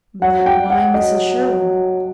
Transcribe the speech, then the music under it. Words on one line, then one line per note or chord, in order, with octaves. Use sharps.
'But why Mrs Sherwin?
F#3 F#5
G5
F#5
F#3 D#5